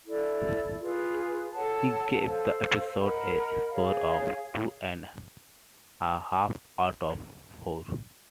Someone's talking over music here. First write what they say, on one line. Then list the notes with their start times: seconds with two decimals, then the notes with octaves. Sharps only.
He gave the episode a score of two and a half out of four.
0.06 E4 A4 D5
0.80 F4 G#4 B4
1.53 A4 C#5 F#5 A5
2.26 A4 C5 F5
2.99 A#4 D#5 F#5 B5
3.71 G#4 C#5 F5